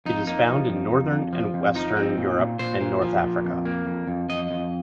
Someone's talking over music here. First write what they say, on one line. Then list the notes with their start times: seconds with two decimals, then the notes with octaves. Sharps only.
It is found in northern and western Europe and north Africa.
0.06 F2 D#4
0.27 A#3 D#4
0.48 F3
0.69 F2
0.91 F2
1.11 F2
1.33 F3
1.54 F2
1.75 F3 D#4
1.97 C4
2.17 A#2
2.39 A#2
2.59 A#2 C5
2.81 A#2
3.02 F3
3.24 A#2
3.45 F2
3.65 A#3
3.87 F2
4.07 F2
4.29 F2 D#5
4.51 F2